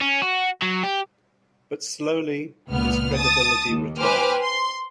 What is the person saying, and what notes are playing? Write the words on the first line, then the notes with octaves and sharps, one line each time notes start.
But slowly his credibility returned.
C#4
F#4
F#3
G4
C#2 A#2 B3 F6
A5 D#6 A6
D#2
B4 C5 G5 G#5 D6 F6
C6